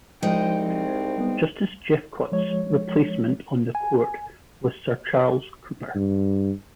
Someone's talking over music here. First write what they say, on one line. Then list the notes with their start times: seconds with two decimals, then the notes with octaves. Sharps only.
Justice Jeffcott's replacement on the Court was Sir Charles Cooper.
0.22 C2 F3 G#3 D#4 G5
0.61 C4
1.18 G3 B3
2.32 F3 G#3 C#5
3.75 G#5
5.95 G2